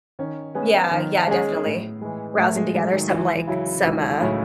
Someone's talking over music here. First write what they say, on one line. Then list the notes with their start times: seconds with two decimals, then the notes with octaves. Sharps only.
Yeah, yeah, definitely. Rousing together some, like some, uh
0.19 D#3 C#4
0.55 G#3 B3 C#4 G#4
0.91 D#3
1.28 G#3 C#4 G#4
1.65 A2
2.01 E3 G#3
2.37 A2 A3
2.56 G#3
2.74 E3 F#3 G#3
2.92 D#3
3.10 C#2 E3
3.47 C#3 F#3 C#4 E4
3.84 C#2 D#3
4.21 A2 C#3 F#3 C#4 E4